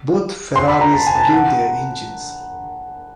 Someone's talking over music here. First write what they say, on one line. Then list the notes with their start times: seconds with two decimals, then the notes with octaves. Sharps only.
Both Ferraris blew their engines.
0.56 C6
0.68 B5
0.81 A#5
0.94 A5
1.07 G#5
1.15 A5
1.20 G#5
1.33 F#5